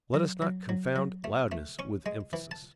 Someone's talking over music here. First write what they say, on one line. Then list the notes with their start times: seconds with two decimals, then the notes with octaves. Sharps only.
Let us not confound loudness with emphasis.
0.14 F#3
0.42 F#3
0.69 F#3
0.96 F#3
1.24 A3
1.52 A3
1.79 C#4 C#6
2.06 G#3
2.33 E3
2.51 A5